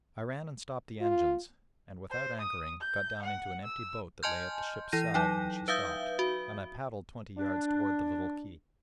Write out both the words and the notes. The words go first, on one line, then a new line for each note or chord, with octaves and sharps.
I ran and stopped the engines, and, without anchoring, got down into an empty boat that lay at the ship's side when she stopped; and I paddled twenty yards toward the little quay.
F4
C5
D#6
G6
F#5
E6
D#5 G#5 A5 C6 F6 G6
E3 E4 A#6 D#7
F#3 D#4 G5
B4 E5 F5 D#6 G6
F#4
D4